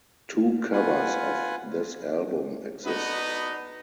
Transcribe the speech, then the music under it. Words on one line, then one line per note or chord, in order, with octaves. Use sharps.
Two covers of this album exist.
F4 B4 F#5 G#5
B3 D4 D#4 F#4 B4 D#5